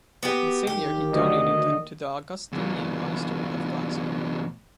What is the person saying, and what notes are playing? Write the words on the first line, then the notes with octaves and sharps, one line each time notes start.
In the same year he donated them to the Augustinian monastery of Glatzer.
B3 F#4 G4
D#2 D#3 G4
D2 D#5
E2 A#2